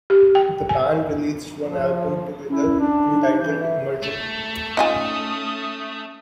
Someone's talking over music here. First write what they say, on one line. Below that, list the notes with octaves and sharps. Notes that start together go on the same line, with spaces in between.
The band released one album together, entitled "Emerging".
G4
G5
G#5
F3
C#4 E4
D4
D#4
E3 G6
E5
A3
C#4 D#4 F4 G#5 D#6